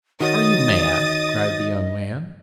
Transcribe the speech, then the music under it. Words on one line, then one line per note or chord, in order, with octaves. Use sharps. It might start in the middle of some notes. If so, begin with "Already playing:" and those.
"Are you mad?" cried the young man.
D#3 D#4 F#4 C#5 D#5 D#6 A6